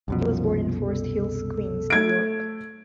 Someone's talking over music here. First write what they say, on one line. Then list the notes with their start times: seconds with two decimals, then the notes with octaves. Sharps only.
He was born in Forest Hills, Queens, New York.
0.08 C2 F#2 B2 F3
0.85 A4
1.90 A3 G#6 D7